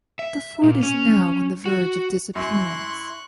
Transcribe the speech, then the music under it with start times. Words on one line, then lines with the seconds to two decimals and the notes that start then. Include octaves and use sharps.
The fort is now on the verge of disappearance.
0.19 E5
0.63 A#2
0.83 C#4
1.66 F#4
2.35 F#2 E4 C6 C#6 F#6